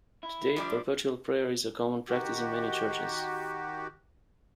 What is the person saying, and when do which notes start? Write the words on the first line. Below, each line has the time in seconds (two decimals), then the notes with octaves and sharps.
Today, perpetual prayer is a common practice in many churches.
0.23 E4
0.56 F3 G3 D4
2.09 D#3 F#4 G4